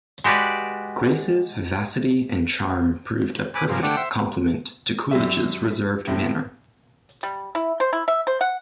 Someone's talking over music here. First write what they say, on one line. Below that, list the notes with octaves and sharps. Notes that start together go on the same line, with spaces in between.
Grace's vivacity and charm proved a perfect complement to Coolidge's reserved manner.
G#3 F#4 G4 B4 D5
G#5 B5 D6
G2 C3 F3 G#4 A#4
D3 A3 D4 F#5 G5
C5 E5
F#2 G3 E5
A2 C3
G3
E4
C5
E4
E5
C5
F#5